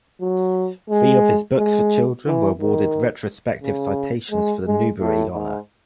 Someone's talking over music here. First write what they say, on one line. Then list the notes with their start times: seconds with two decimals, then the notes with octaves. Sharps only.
Three of his books for children were awarded retrospective citations for the Newbery Honor.
0.21 F#3
0.90 G#3
1.58 G#3
2.26 E3
2.61 D#3
3.63 C#3
4.31 G#3
4.66 G#3
5.00 A2
5.34 G#2